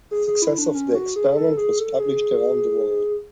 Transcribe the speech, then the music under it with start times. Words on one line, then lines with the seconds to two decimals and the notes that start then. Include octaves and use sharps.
The success of the experiment was published around the world.
0.11 G#4
0.27 G#4
0.42 E4
0.58 D4
0.74 C#4
0.95 F#4
1.16 G#4
1.36 A4
1.57 G#4
1.79 A4
2.00 G#4